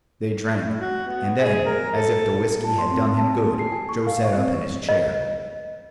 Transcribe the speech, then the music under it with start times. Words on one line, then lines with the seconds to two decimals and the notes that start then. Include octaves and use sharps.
They drank, and then, as if the whiskey had done him good, Joe sat up in his chair.
0.80 F#4
1.07 B3
1.40 G#4
1.66 A#4
1.96 A4
2.64 A5
2.78 C6
2.91 C4
3.14 A5
3.33 G#5
3.46 A#3
3.59 C7
3.72 G#5
3.89 C#6
4.07 F5
4.24 C#6
4.37 C4
4.89 D#5